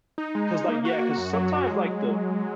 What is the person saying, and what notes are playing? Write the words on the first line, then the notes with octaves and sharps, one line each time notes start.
'cause, like, yeah, 'cause sometimes, like, the
D#4
G#3
D#4
A#3
F#4
F#4
F#2
F#3
F#3
G#3